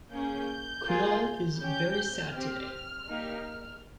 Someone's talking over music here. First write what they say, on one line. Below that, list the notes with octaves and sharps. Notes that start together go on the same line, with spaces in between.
Kunal is very sad today.
A#3 C#4 G#4 G6
A#3 F4 G#4
C#4 G4 G6
C4 G4 F6
A#3 D#4 G4